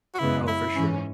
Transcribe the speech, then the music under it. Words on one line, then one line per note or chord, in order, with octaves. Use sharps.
Oh, for sure.
F#4
F#2 C#3 G#3 B3 E4
E4
G#2 E3 C#4